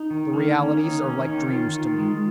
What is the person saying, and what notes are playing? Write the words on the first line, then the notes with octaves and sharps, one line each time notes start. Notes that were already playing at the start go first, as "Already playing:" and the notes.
The realities are like dreams to me.
Already playing: D#4
D#3
A#3
D#3 C#4
A#3 D#4
C#4
D#3 D#4
D#3 F4
D#3
G#3